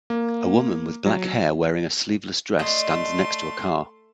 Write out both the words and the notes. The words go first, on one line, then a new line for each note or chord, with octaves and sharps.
A woman with black hair wearing a sleeveless dress stands next to a car.
A#3
F#3
A3 D4 D#5 C6